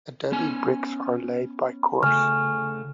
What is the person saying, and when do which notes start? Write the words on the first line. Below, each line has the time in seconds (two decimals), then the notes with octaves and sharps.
Adobe bricks are laid by course.
0.32 B3 C#4 G#5
2.03 C#3 A3 G#5 C#6 F6